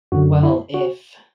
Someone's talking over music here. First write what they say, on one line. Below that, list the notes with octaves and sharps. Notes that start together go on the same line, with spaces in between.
"Well, if,
F#2 D3 F#4
E4
F#4